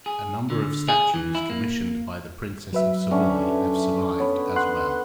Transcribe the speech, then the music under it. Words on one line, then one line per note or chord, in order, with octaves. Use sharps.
A number of statues commissioned by the Princess of Savoy have survived as well.
G#4
D3
G#4
E3
E4
A#3
F#3 B4 E5
D3 C#4 C#6
B3 C#5
F#5 C6 F#6